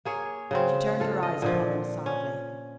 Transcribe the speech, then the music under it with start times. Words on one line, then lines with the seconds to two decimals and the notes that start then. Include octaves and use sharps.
She turned her eyes upon them sadly.
0.05 A#3 G#4 C#5
0.51 C#3 F#3 C4
1.00 F4 A4 F5
1.23 D#5
1.42 A#2 D3 F3
2.06 C#4